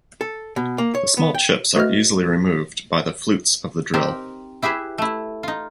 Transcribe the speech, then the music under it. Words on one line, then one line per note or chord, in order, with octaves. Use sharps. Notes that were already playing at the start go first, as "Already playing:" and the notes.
The small chips are easily removed by the flutes of the drill.
A4
B2
A#3
C#5
B3
G5
A3 F#4 B4 D#5 F6
C4 D#4 G4 A#4
E4 G4 G#4 B4 E5
A3 E4
D#4 F4